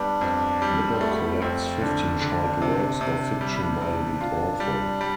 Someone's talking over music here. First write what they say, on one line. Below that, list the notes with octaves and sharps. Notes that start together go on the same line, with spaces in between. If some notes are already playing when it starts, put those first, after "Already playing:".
The book collects fifteen short works of fiction by the author.
Already playing: G3 B3 D4
F2
G3
C4
A3 B3
F2 C4
D3 D4
D3
C3
C3
G3 D4
E4
D4
C3
F4
G3
G3